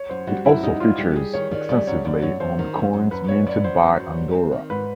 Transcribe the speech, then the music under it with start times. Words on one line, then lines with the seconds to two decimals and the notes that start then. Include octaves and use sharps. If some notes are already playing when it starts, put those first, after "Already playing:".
It also features extensively on coins minted by Andorra.
Already playing: C#5
0.10 F#2 C5
0.27 G3 F#4
0.45 F#2 E4
0.63 G3 D#4
0.80 G3 F4
0.99 G3 G4
1.16 G3 G#4
1.33 D#3 C#5
1.51 D#3 D5
1.69 G3 D5
1.87 F#2 C#5
2.05 F#2 D5
2.22 F#2 C#5
2.40 F#2 C5
2.59 D#3
2.76 F#2
2.93 F#2
3.11 F#2 B4
3.28 F#2 C#5
3.47 F#2 D5
3.64 F#2 C5
3.82 F#2
4.00 F#3
4.18 G3
4.35 C4
4.52 D#3
4.70 G#2 B4